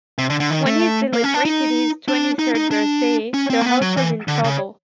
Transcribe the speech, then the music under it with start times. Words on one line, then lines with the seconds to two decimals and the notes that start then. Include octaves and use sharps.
When he celebrated his twenty-third birthday, the house was in trouble.
0.18 C3
0.30 D3
0.40 D3
0.50 D#3
0.66 A3
1.13 A#3
1.24 C#4
1.34 D4
1.45 D#4
2.08 D4
2.39 D#4
2.55 D#4
2.71 D4
3.34 C#4
3.50 C4
3.61 A#3
3.66 B3
3.82 F#3
3.97 E3
4.28 D3
4.44 C#3